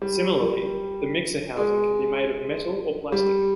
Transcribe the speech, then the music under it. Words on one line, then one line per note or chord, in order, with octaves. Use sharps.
Similarly, the mixer housing can be made of metal or plastic.
G3
G#3
G3